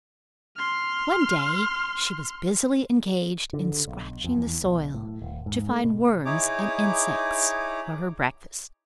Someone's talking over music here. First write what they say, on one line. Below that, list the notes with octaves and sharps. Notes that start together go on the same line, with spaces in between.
One day she was busily engaged in scratching the soil to find worms and insects for her breakfast.
C6 F6
D3
B1
F2
E2
B1
A2
D#1
G#2
A3
B2
D#4 E4 G#4 C#5 D6